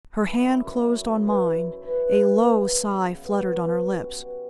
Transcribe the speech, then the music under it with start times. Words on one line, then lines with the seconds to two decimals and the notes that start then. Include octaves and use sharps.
Her hand closed on mine, a low sigh fluttered on her lips.
0.24 F#2 E4
0.45 F#2
0.64 F#2
0.84 F#2
1.04 F#2
1.23 E3
1.43 F#2
1.64 F#2
1.83 E3 E4
2.03 E3
2.23 C#3
2.42 B3
2.62 C#3
2.82 C#3
3.02 C#3
3.21 B3
3.41 B2 F#4
3.62 B2
3.82 G3
4.02 C#4
4.21 B2